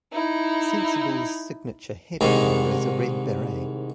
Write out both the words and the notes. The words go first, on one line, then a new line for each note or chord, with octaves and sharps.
Sensible's signature headwear is a red beret.
D#4 E4
C2 G#2 D#3 G#3